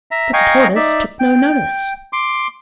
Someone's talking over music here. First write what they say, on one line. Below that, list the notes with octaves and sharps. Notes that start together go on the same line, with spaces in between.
But the tortoise took no notice.
E5 A#5
D#5 F5 G5 G#5 A#5 C#6
D#4 D5 E5
G5
C6 D6